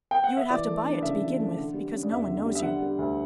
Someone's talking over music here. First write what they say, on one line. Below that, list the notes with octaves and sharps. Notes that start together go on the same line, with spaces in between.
You would have to buy it to begin with, because no one knows you.
G5
F#5
E5
E3 D5
A3
D4
D5
C#3 E5
E3
A3
D3
G3
C#4
D5
E2 E5
D3
G3
E5
D3 F#5
G3
D2